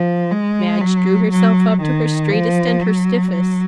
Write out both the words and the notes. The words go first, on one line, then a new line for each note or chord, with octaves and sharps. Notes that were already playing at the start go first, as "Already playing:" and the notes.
Madge drew herself up to her straightest and her stiffest.
Already playing: F3
G#3
F#3
F#3
D#3
F3
F#3
F#3